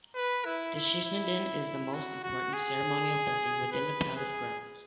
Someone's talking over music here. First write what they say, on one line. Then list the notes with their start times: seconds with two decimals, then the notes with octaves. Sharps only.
The "Shishinden" is the most important ceremonial building within the palace grounds.
0.16 B4
0.45 E4
0.75 E4
1.05 E4
1.94 F#4
2.24 F#4
2.53 G#4
3.72 B4
4.16 G#4